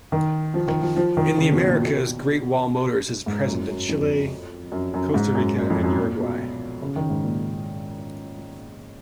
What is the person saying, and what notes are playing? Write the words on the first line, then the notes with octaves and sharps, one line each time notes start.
In the Americas, Great Wall Motors is present in Chile, Costa Rica and Uruguay.
D#3
F3
D#3
F3
F3
D#3
C#3
B2
A#2
B2
G#2
F#2
F#2
F2
F#2
F#2
G#2
F#2
F#2
F2
F#2
A#2
B2
C#3
D#3
G#2
A#2